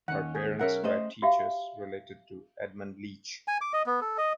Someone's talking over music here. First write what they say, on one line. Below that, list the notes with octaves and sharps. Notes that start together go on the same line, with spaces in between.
Her parents were teachers related to Edmund Leach.
D#2 C#4 F#5
G#4
B1 C#4 A#4 E5 F#5
A3 C5 D#5
F#4 G4 E5 F5
G#5
D6
D#5
B3
A4
D#5